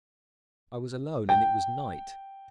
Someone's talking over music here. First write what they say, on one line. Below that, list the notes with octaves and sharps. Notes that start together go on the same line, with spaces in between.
I was alone and it was night.
G5